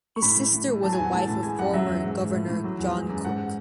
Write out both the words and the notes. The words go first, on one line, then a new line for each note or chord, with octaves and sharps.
His sister was the wife of former Governor John Cook.
C#6
A2 B5
A2
A2
A2
F#3 A5
G#5
E2
F#5
A2 A5
A2
G#3 G#5
F#2 F#5
F#3 E5
E2
G#2
G#2
A2
A2
F#3
E2
G#3
F#2
G#2 F#5